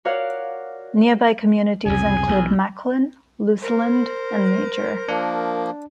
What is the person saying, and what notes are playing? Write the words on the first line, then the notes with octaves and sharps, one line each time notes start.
Nearby communities include Macklin, Luseland and Major.
F#4 A#4 C#5 D5 F5 F#5
C2 F2 C#3 G#4 G#5
B1
A#4 C5
F3 A#3 D4